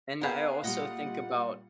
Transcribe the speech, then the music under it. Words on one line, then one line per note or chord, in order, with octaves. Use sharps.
and I also think about
B3 G#4 A#4 B4 F5
A#2 G3 F4 D#5 F#5